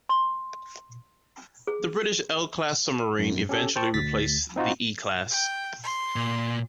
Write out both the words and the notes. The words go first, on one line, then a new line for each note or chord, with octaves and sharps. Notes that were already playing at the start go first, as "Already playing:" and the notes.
The British L class submarine eventually replaced the E class.
C6
G#4
F#2
C#4 G4 A4
C5 G5 A5 C#6
D2 A6 B6
C4 D#4 F4 F#4
G5
C6
A#2